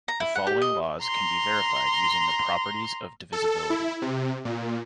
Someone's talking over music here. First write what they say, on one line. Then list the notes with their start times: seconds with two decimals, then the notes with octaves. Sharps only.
The following laws can be verified using the properties of divisibility.
0.08 A#5
0.20 E4
0.35 F#5
0.47 G4
0.62 D#5
1.03 A#5 C6
3.33 A4
3.70 E4
4.02 C3
4.45 A#2